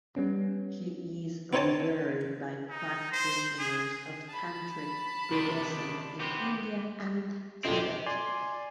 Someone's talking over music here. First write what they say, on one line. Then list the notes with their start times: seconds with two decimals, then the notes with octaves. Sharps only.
He is revered by practitioners of tantric Buddhism in India and Tibet.
0.16 G3 B3 C#4
1.53 B3 C4 D#4 C#5 G#5 A5
2.69 D#4
3.12 C5
3.59 G#4
4.28 A5 B5
5.31 C3 D#3 D4
6.19 B3 C4 G4
7.65 B1 C#3 C4 F4 G4 A4 D5 D#5
8.06 D5 G#5 C6